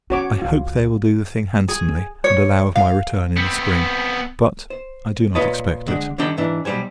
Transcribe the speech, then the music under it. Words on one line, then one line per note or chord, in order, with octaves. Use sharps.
I hope they will do the thing, handsomely, and allow of my return in the spring; but, I do not expect it.
C#4 F#4 C#5 D6
C#2 D3 F4
G#4
C#5
F5
B3 C4
C5
A#2 F4 B4 C#5 D#5 A5
D3 G#3 D4
D3 D#3 G3 D4 G5
G#2 E3 D4
B1 C#3 G3 C5 G#5